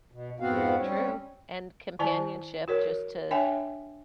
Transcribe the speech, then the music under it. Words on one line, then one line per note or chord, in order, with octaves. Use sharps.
true and companionship just to
B2
F2 G#2 B3 C4 F#4 F5
G3 C4 C#4 C#5
D#3 E4 C5 D5 G#5 A5
F#4 A#4 C#5
D4 C#5 E5 G5 G#5